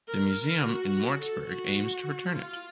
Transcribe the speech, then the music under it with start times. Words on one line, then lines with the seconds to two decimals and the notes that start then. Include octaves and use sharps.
The museum in Moritzburg aims to return it.
0.08 A#4
0.65 F#4
1.21 A4
1.48 F#4
2.33 F4